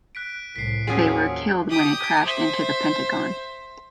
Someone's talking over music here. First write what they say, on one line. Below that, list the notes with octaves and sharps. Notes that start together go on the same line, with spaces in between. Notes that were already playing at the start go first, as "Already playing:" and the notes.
They were killed when it crashed into the Pentagon.
F#6 B6 D7
C2 A2 B6 C7
D#2 F3 F#3 C#4 G#4
G4 D#6
C5 E5